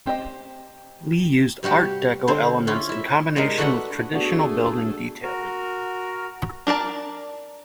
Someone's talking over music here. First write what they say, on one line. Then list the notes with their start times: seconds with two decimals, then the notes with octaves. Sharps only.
Lee used Art Deco elements in combination with traditional building detailing.
0.06 C4 G4 C5 D#5
1.63 C3 G3 F#4 G4
2.28 D3 C4 C5
2.67 C#4 E4 F4
2.89 E4 E5
3.36 C3 G#3 D4 A#4
3.58 A3 D4 F#4 B4 E5 F#5
4.13 A3 B3 D4 F#4 G#4 A4
5.23 F#4 A#4
6.67 D4 A#4 D5 A5